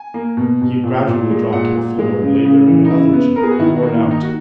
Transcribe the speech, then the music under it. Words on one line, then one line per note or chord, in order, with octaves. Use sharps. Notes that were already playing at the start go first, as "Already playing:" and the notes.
He had gradually dropped to the floor, and lay there in a lethargy, worn out.
Already playing: G#5
A#3
B2
B2
A#2
A#2
G#3
A#2 F#5
A#2
G#3
C#3
C#3
E3
D#4
C#3 E4
B3
B3 A#4
G#4
F#4
D#3 E4
F#4
A#3
E4
D#3
D#4
F#4